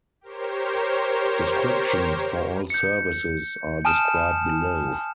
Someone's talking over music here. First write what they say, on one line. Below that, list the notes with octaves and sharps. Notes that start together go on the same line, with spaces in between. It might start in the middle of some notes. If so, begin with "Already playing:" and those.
Descriptions for all services are described below.
G4 A#4 C5 C#5
G6 C#7
G#5 A5 D#6 F6 E7